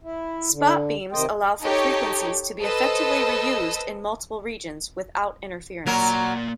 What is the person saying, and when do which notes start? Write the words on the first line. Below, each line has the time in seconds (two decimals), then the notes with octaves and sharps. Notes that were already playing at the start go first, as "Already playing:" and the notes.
Spot beams allow for frequencies to be effectively reused in multiple regions without interference.
0.03 E4
0.52 D3
1.12 C3 D#3 C5 D#5 G5
1.61 D#4 G4 A4 C#5
2.62 A4 B4 C5 D#5 E6
5.86 F#3 A#3 A#4 D5